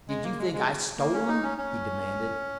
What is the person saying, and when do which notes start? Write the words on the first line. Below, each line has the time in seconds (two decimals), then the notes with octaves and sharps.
"Did you think I stole them?" he demanded.
0.08 G#3
0.23 A#3
0.38 G#3
0.53 G#3
0.98 A#3
1.14 C#4
1.28 D#4
1.43 C#4
1.58 C#4